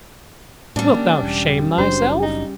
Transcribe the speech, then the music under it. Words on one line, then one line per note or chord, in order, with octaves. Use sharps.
Wilt thou shame thyself?
A2 C#3 G3 D4
A#3
E1
F#1 F#3 D4 C5
D#4